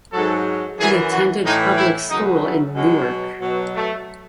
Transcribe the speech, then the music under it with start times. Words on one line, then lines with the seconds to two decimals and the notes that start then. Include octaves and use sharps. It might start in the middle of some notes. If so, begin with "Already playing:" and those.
He attended public school in Newark.
0.13 G#2 F#3 A4
0.78 F#2 E3 G#4
1.11 F#4
1.44 A2 E3 D#4
1.76 E4
2.09 F#2 C#3 F#3 D#4
2.43 A3
2.75 B2 F#3 G#3
3.41 B2 F#3
3.74 A3